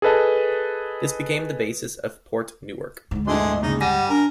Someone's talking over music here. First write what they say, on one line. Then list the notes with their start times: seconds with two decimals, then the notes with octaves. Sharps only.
This became the basis of Port Newark.
0.02 G#4 A4 B4 D#5 A5
3.11 D2 G#2
3.27 G1 A2 D3 G#4 D#5 C6
3.63 D#2 C#3 D#4
3.81 G3 F#5 G#5 A#6 D#7
4.09 D4 A#4